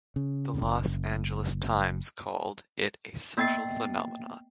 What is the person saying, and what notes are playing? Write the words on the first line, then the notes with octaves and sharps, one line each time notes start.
The "Los Angeles Times" called it a "social phenomenon".
C#3
F#1
A#3 B3 G5 A6 C7